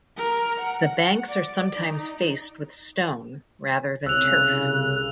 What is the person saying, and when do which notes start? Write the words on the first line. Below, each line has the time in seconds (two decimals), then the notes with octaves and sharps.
The banks are sometimes faced with stone rather than turf.
0.17 A#4
0.61 F#5
1.28 D5
1.76 D#4
4.06 C2 C#3 E6 F#6 F7